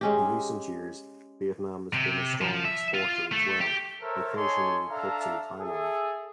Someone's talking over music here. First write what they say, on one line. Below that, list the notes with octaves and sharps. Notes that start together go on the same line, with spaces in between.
In recent years, Vietnam has been a strong exporter, as well, occasionally eclipsing Thailand.
G#3 C#4 G4
C3
F3
E5
F4
A3
G4
A4 A#4 C5 C#5 E5 A#5
D#4 A4 C#5 G#5 C6
D4 A4 E5 F5 A#5
G#4 A4 E5